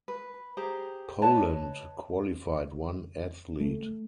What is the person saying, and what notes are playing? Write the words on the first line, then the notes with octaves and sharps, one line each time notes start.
Poland qualified one athlete.
B4
G4 G#4 C5 A#5
B4 C#5 D#5 A5
A3